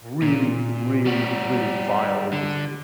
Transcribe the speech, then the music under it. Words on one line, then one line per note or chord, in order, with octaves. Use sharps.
really, really, really vile industry.
A#2
G3 F#4
D3